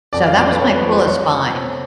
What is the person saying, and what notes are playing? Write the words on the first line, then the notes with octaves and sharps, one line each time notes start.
So that was my coolest find.
F2 D5
F5
F2 D5
B4
F2 C#5
B4
F3
B4
C#5